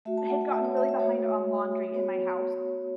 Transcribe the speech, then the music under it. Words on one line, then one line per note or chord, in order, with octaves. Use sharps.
had gotten really behind on laundry in my house
A3 F#4 E5
A5
F#5
F#5
E5
C#5
E5
E5
A3 F#4 C#5
B3 F#4 C#5